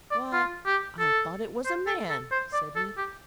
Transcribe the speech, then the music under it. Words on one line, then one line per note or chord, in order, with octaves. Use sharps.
'Why, I thought it was a man!' said he.
D5
F4
G4
A4
C5
A4
A4
C5
D5
A4
G4